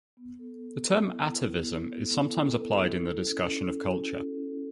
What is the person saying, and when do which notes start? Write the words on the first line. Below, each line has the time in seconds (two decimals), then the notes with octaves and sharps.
The term "atavism" is sometimes also applied in the discussion of culture.
0.17 B3
0.39 A4
0.63 B3
0.86 E4
1.10 B3
1.32 E4
1.56 B3
1.79 B3
2.01 A4
2.26 E4
2.48 A4
2.72 E4
2.95 A4
3.18 C#4
3.41 C#4
3.64 A4
3.88 F#4
4.11 C#4
4.35 C#4